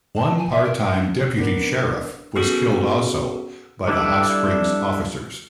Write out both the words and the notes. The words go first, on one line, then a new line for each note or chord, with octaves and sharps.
One part-time deputy sheriff was killed also, by the Hot Springs officers.
A5
G#5
E5
A#4
G5
D4
B3 D4 A#4
B3 C#4 F#4 G#4 A4
G3 D4 E4 A4 D5